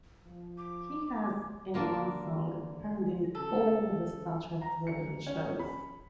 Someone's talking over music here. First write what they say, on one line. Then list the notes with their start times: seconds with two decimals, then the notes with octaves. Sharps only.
He has, in one song, parodied "all" the Star Trek television shows.
0.24 F3
0.58 D6
1.74 D3 A#3 D4
3.35 C#3 A4
4.62 A#5
4.87 C#7
5.27 C#4
5.59 B5